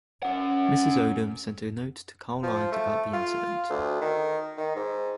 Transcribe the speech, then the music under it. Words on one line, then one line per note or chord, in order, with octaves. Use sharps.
Mrs. Odom sent a note to Carl Lyons about the incident.
C#4 F#5
F3
A3
F4
D2
D#3
D#3
G#2